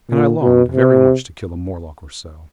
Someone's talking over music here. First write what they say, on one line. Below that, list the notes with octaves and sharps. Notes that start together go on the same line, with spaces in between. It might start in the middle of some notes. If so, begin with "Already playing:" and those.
And I longed very much to kill a Morlock or so.
A#2
B2
C3